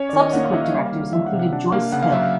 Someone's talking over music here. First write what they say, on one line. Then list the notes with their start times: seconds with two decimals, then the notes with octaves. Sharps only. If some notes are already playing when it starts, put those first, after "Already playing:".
Subsequent directors included Joyce Hill.
Already playing: C#4 C#5
0.09 D#3 D5
0.20 D#5
0.33 A#3 F#5
0.44 F5
0.53 A#3 E5
0.65 F5
0.73 G3
0.92 D#3
1.13 A#3 E5
1.26 F#5
1.33 C3
1.39 F#5
1.53 D4 F#5
1.72 A#3 F5
1.92 C#3 F#5
2.03 F5
2.12 F#3 E5
2.22 F5